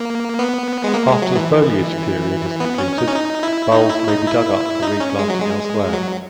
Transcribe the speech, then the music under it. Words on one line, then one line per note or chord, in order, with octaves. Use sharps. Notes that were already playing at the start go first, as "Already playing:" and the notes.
After the foliage period is completed, bulbs may be dug up for replanting elsewhere.
Already playing: A#3
B3
G#3
A#3
G#3
F#3
E3
B3
C#4
D#4
C#4
D#4
E4
D#4
E4
D#4
E4
D#4
C#4
G#3
F#3
G#3
F#3